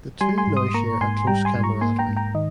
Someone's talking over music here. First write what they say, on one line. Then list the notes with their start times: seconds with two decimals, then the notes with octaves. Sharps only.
The two now share a close camaraderie.
0.21 G3 G#5 C6
0.38 G#5 C6
0.47 G#2
0.56 C6 D#6
0.74 A#3 A#5 C#6
1.01 G#2 G#5 C6
1.27 G3 G5 A#5
1.45 G#5 C6
1.55 G#2
1.63 A#5 C#6
1.81 A#3 G#5 C6
1.99 G5 A#5
2.09 G#2
2.17 G5 A#5
2.35 D#3 D#5